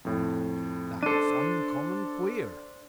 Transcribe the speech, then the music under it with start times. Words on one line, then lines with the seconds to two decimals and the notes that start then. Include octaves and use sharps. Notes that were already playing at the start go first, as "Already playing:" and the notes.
"That's uncommon queer."
0.05 F2 A2
1.03 D4 A4 C5 D#7